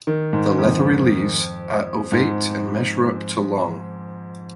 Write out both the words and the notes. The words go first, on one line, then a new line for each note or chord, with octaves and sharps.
The leathery leaves are ovate and measure up to long.
D#3
G#2
F2
G#2